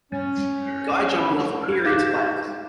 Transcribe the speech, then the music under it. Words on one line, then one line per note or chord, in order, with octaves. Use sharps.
Guy jumping off a pier into lake.
C#4
D#4 G#4 F5 D6 F#6 E7